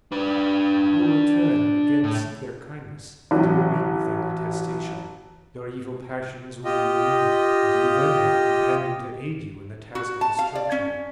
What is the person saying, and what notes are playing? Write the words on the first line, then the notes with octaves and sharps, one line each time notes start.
You will return and again seek their kindness, and you will meet with their detestation; your evil passions will be renewed, and you will then have a companion to aid you in the task of destruction.
D4 B4
A2
A1 F#3
F4 G4 D#5
F#4
A5
F5
D5
C#4